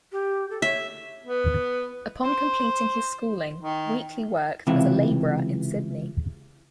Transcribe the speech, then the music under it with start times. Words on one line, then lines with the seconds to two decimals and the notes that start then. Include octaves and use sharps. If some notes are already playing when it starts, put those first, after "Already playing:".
Upon completing his schooling, Wheatley worked as a labourer in Sydney.
0.12 G4
0.50 A4
0.62 C#5 E5
1.24 B3
2.24 C5
3.62 D#3
4.67 C#2 C3 E3 E4